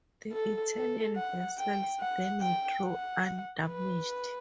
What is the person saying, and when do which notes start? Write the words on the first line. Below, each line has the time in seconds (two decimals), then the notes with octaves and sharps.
The Italian vessels then withdrew undamaged.
0.33 A4
0.74 A4
1.16 F#5
1.58 G5
2.00 F#5
2.41 G5
2.83 F#5
3.67 B4